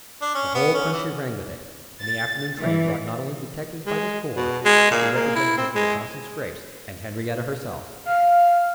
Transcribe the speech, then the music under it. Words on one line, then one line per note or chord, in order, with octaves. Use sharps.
The whole country rang with it, and the afternoon train brought not only detectives by the score, but the representative of the Constant-Scrappes and Henriette herself.
D4
C#4
B3
C#4
E3
A6
E3
G#3
B2
G#3
A#2
A#3
E4
C4
G#3
F5